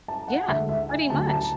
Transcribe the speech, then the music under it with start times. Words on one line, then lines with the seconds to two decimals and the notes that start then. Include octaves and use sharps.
Yeah, pretty much.
0.08 A5
0.28 F#5
0.48 D2 D3 G#3 E5
0.69 E5
0.89 G#5
1.09 D2 D3 F#3 A3 A5
1.30 A5